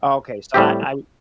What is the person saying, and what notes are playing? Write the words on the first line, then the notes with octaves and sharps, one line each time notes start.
Okay. So I I
A2 G3 C4 G4